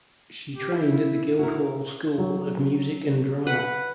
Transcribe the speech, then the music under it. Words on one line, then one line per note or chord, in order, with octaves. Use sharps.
She trained at the Guildhall School of Music and Drama.
G4
E4
E4 F#4 A#4
F#3
B4 F#5